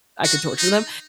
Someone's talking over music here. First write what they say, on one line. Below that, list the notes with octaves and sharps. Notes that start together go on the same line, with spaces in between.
I could torture them,
F#4
D#4